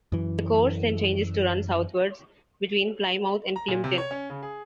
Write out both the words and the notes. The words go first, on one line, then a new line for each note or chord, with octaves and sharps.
The course then changes to run southwards, between Plymouth and Plympton.
F#2 E3
A#5
A#2
C3
C#5
C#4
C#3
G#4